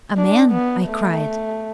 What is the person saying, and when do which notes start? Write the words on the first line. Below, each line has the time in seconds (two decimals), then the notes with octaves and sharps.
"A man?" I cried.
0.17 D4
0.51 B3
0.87 A3